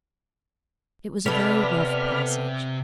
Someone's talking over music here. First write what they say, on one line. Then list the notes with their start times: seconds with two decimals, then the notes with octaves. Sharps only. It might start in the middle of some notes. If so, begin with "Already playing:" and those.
It was a very rough passage.
1.26 C3 B3 A4 D5 B5 F6